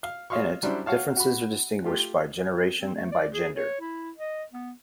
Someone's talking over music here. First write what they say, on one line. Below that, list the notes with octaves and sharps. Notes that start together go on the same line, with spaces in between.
In it, differences are distinguished by generation and by gender.
F5
C#5 D#5 F5 C6 C#6
F#3 G3 C#4 D4 E4 C5
F#4 C#5 F5 A5
F#4 B5
A3 F4 G4
C4
C4
A3
D5
G#4
C#5
E4
D#5
B3